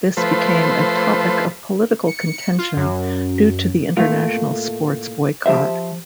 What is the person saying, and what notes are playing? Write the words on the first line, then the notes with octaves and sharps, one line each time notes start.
This became a topic of political contention due to the international sports boycott.
F3 A3 B4 C5
C#7
F4
F#2
A2 A3 A#3 F4
F3 G4 C5 E5